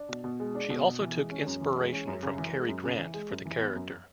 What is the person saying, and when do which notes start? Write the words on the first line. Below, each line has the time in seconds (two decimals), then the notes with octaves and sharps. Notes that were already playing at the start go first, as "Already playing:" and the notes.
She also took inspiration from Cary Grant for the character.
Already playing: D4
0.09 B2
0.24 B2
0.40 G#3
0.55 D4
0.70 B2
0.85 B2
1.01 E3
1.16 G#3
1.31 C#4
1.46 F#2
1.61 E3
1.78 G#3
1.92 C#4
2.08 F#2
2.23 C#3
2.38 E3
2.54 G#3
2.69 F#2
2.84 C#3
2.99 E3
3.14 G#3
3.30 F#2
3.45 E3
3.60 B3
3.76 F#2